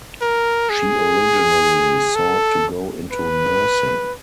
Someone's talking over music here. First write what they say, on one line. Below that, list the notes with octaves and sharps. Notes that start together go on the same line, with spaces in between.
She originally sought to go into nursing.
A#4
G#4
A4
B4